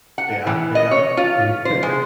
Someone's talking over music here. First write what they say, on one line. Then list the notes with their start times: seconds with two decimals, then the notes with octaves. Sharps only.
Yeah, yeah. Yeah.
0.18 F#5
0.47 E3
0.75 D#5
0.91 C#5
1.17 F4
1.65 C5
1.83 G#3